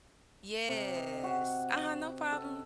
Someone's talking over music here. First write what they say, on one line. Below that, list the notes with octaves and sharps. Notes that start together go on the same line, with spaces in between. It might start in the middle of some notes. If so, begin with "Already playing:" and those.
Yes, uh-huh, no problem.
C3
D#5
F#4
A4